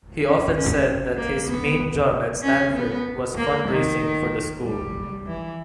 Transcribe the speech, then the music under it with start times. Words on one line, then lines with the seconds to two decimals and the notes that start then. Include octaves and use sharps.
He often said that his main job at Stanford was fundraising for the school.
0.23 C#4
0.54 C#4
1.17 A#3
1.49 B3
2.43 C#4
2.74 B3
3.37 A#3
3.69 D#3
4.64 G3
5.27 E3